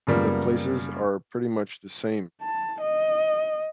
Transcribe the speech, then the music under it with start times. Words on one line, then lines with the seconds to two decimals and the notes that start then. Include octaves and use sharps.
of the places are pretty much the same
0.07 F#2 C#3 F3 G3 A#3 B3
2.41 A5
2.81 D#5